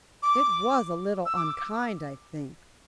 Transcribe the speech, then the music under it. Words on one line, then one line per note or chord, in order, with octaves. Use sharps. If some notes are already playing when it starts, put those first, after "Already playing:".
It was a little unkind, I think.
D6
E6
D6